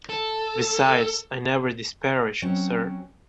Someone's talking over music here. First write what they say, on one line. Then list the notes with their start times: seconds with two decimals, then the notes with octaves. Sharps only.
Besides, I never disparage, sir.
0.09 A4
2.42 F#3 C4 C#4